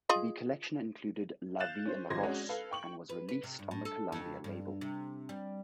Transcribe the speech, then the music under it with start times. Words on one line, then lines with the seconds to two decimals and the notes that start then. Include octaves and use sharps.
The collection included "La Vie en rose" and was released on the Columbia label.
0.09 F4 G#4 D#5
1.60 F5 F#6 G6 A6 E7
1.85 C#4 C5
2.10 G#1 F3 C6 G#6 A#6
2.23 G#3 C#4 D4 F#4
2.49 A4 B4 F5
2.71 G5 C#6 F#7
3.10 B4
3.29 B4
3.43 C3
3.59 G2
3.71 A2
3.85 A4
4.12 F2
4.44 G2
4.81 C3
5.29 G3